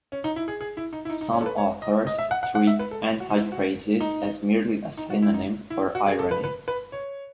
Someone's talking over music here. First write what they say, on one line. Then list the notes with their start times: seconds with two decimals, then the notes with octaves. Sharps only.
Some authors treat antiphrasis as merely a synonym for irony.
0.12 C#4
0.24 D#4
0.36 E4
0.48 G#4
0.61 G#4
0.77 E4
0.93 D#4
1.05 E4
1.10 D#4
1.21 D#4
1.33 C#4
1.41 A4
1.46 B4
1.58 C#5
1.82 D#5
2.07 D#5
2.18 E5
2.31 F#5
2.43 F#5
2.55 F#5
2.67 E5
2.79 B4
2.91 A4
3.20 F#4
3.30 D#4
3.36 E4
3.52 F#4
4.00 D#4
4.97 D#4
5.10 F#4
5.22 E4
5.34 D#4
5.70 E4
5.95 F#4
6.07 G#4
6.19 A4
6.31 B4
6.44 B4
6.68 B4
6.92 C#5